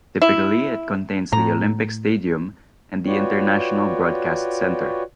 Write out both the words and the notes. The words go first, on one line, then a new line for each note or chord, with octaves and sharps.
Typically it contains the Olympic Stadium and the International Broadcast Centre.
E4
A2 A#5
F4 F#4 B4 C#5 D5 G5